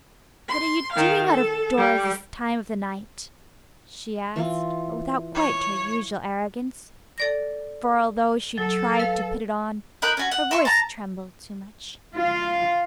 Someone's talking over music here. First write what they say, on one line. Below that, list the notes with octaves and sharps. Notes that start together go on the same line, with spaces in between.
"What are you doing out of doors this time of the night?" she asked, but without quite her usual arrogance, for, although she tried to put it on, her voice trembled too much.
C6
D#3 F5
A4
G3
E3 F4
C#5
A4 D5 A#6
F#3 A4
B4 F5
D#4 A#4 B5 F#6
C#4 F#4
F#5
E5 C6 C#6
A5 A#5
F4 F5